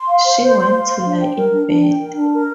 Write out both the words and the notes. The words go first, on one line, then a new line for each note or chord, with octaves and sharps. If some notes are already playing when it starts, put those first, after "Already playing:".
She went to lie in bed.
Already playing: C6
F5
C5
C5
C6
F5
C5
D4
G5
A#4
D4
D4
G5
A#4
D4
A#4